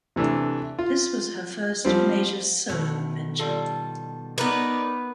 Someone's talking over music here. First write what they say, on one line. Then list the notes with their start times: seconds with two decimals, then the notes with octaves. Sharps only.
This was her first major solo adventure.
0.16 C3 E3 A3 D4
0.79 F4
1.85 F3 G3 C4
2.69 B2 D#3 A3
3.39 G3 F4 A4
4.38 B3 D#4 A#4 B4 D5